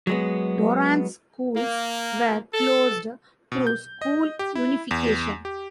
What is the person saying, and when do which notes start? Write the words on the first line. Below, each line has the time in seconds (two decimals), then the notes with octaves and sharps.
Dorrance schools were closed through school unification.
0.07 F#3 G#3 B3
1.57 A#3
2.54 A4
3.52 B2
3.67 G6
4.02 D#5
4.39 G4
4.55 E4
4.91 E2
5.45 G4